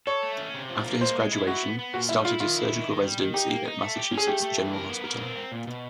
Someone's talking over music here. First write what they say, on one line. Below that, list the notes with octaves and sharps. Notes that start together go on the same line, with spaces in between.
After his graduation, he started his surgical residency at Massachusetts General Hospital.
A4 C#5
A3
C#4
C3
F3
A#3
G#3 C5
G#3
E4
E4 F#4
B3
B3
A#2 F#4
G3 E4
E4 F4
D#3 F4
E4
D#3
D#3
G3
D#3
D#4 G4
A#3
D#4
A3
G4
C#4
G#4
A3 G4
A3
E3
A#4
B3
A#4
C4
C4
A#2
B2